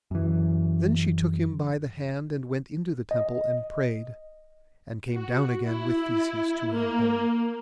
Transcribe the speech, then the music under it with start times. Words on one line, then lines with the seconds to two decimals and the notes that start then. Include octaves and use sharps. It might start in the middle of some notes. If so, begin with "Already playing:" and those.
Then she took him by the hand, and went into the temple and prayed, and came down again with Theseus to her home.
0.11 F#2 E3
3.11 D#5
5.15 F#4
5.66 E4
6.72 A#3